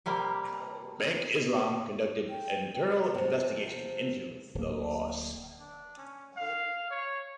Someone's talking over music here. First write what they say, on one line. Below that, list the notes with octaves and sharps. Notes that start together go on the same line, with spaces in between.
Bank Islam conducted an internal investigation into the loss.
C3 G3 A#3
G5
C3 F3
D1 A#3
D4
C#4
F5
C#5